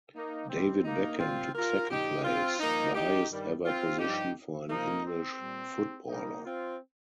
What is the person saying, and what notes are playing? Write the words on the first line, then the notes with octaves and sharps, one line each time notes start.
David Beckham took second place, the highest ever position for an English footballer.
A#3 D#4
C3 D#3 G3 C4
A#3 D#4
A#2 G3 C4 F4
F4 A#4
A#2 F3 D#4 G4
C4 F4
G2 F3 A#3 D#4
D#4 G4
G2 D#3 G3
C4 F4
G2 F3 D#4 G4
C3 F3 A#3 D#4
C4
A#2 G3
C3 G3 A#3 D#4
C4 F4